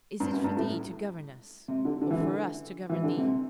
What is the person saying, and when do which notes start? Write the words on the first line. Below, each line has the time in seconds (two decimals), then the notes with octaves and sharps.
Is it for thee to govern us, or for us to govern thee?
0.20 G2
0.32 F#2
0.44 G2
0.57 A2
1.68 C3
1.85 D3
2.01 D3
2.11 E3
2.19 D3
2.89 E3
3.03 D3
3.17 C3